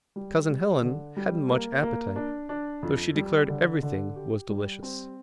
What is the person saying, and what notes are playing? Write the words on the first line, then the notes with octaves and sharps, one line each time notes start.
Cousin Helen hadn't much appetite, though she declared everything was delicious.
G3
G3
D3
G3
A#3
A#3
D4
D4
F2
G3
D3
D3
G4
G3
C4